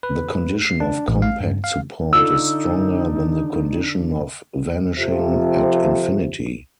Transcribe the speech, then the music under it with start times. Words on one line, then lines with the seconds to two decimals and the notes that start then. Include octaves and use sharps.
The condition of compact support is stronger than the condition of vanishing at infinity.
0.03 B4
0.62 C7
0.80 D4
1.08 A1
1.22 F5
1.41 G2
1.64 F5
2.13 D3 D#4 F4 E6
4.98 F2 C3 F3